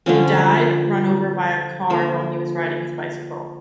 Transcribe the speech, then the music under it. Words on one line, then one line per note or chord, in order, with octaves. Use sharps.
He died run over by a car while he was riding his bicycle.
D3 F3 C#4
D3 F3 A#3